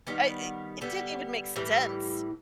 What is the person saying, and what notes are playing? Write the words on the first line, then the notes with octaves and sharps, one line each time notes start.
I it it didn't even make sense.
D#3 G3 B3
D3 G3 B3
A2 E3 G3